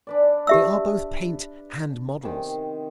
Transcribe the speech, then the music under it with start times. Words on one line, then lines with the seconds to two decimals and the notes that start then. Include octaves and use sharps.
They are both paint and models.
0.07 D4 B4 D5
0.47 G4 E5 E6
2.23 C3 D#3